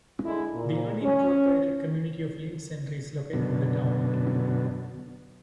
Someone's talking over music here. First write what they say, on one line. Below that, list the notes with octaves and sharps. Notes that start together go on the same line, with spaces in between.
The unincorporated community of Lind Center is located in the town.
D3 G#3 E4
A#2
C#4
F#2 B2 D3